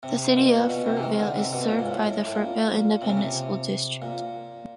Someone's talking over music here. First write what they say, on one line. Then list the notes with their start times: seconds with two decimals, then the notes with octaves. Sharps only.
The City of Fruitvale is served by the Fruitvale Independent School District.
0.03 C3
0.36 B2
0.59 A#2
0.69 B2
0.86 C3
0.97 E3
1.03 D#3
1.19 D3
1.36 C3
1.53 B2
1.69 A#2
1.79 G#2
1.86 A2
2.03 A2
2.27 A2
2.35 A#2
2.68 A#2
3.02 C3
3.10 C#3
3.17 C3
4.02 A#2